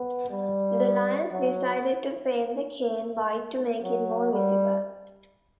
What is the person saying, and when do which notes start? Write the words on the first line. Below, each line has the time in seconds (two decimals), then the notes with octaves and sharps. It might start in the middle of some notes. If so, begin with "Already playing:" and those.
The Lions decided to paint the cane white to make it more visible.
Already playing: B3
0.30 G3
1.31 F#3
3.83 F#3
4.33 G3